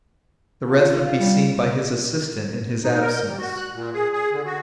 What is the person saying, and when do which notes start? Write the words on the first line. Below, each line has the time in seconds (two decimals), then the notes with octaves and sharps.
The rest would be seen by his assistant in his absence.
0.67 F4
1.20 G3
2.84 D#4
3.01 A#4
3.12 G6
3.26 G3
3.38 F#4
3.57 F#6
3.75 A#2
3.94 G#4
4.13 G#4
4.32 D3
4.46 F#4